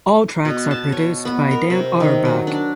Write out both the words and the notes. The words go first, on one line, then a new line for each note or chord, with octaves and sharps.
All tracks are produced by Dan Auerbach.
B2
A5
C#5
B3
A#4
C3
D#3
F#3
D4